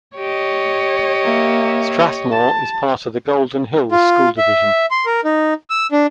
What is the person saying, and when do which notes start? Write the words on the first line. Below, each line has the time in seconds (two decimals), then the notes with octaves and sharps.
Strathmore is part of the Golden Hills School Division.
0.16 G4 C#5 D#5
1.24 A#3 E5
2.32 A5
3.91 F4
4.38 E5
4.91 C6
5.06 A#4
5.24 D#4
5.70 E6
5.92 D4